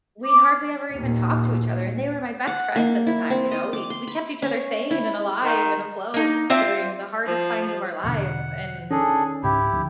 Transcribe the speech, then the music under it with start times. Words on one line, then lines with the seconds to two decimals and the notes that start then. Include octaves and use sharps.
we hardly ever even talked to each other, and they were my best friends at the time, you know? We we kept each other sane and alive and afloat during the hardest times of our lives, and
0.25 D6
0.92 D#2 A#2
2.47 F#5
2.76 A#3
3.07 E4
3.30 C4
3.52 D#5
3.73 D6
3.90 C6
4.07 B5
4.42 C#4
4.91 E4
5.44 D#3
6.14 A#3 D#4
6.50 C4 F4 C5 D5 E5 F5
7.26 F3
8.04 E2 B2 D3 F#5
8.91 D#3 C#4 D4 G#4 A4
9.43 C#2 G#2 C#3 E4 G4
9.72 D2 D#3 F3